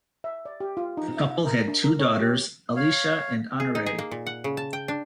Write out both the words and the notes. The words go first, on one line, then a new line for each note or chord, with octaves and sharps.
The couple had two daughters, Alicia and Honoree.
E5
D5
G4
F4
D#4
E5
A#4
D4
A#4
C#5
G4
C#5 F5
G#4
D#4
G#4
A#3
A#2
F#5
C#3
A5
G5
D4